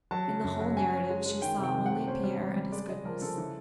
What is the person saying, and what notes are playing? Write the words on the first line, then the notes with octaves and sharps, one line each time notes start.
In the whole narrative she saw only Pierre and his goodness.
F#3 A5
C#3
F#2
F#3
C#4 G#5
C#4
G#3
G#3
D#3 G5
C3
G5
F#3
F#5
C3
C#4 C5
G3
G3
G3
G#3 D5
C#3 D#5
F3 A#4
C#3 A4
E3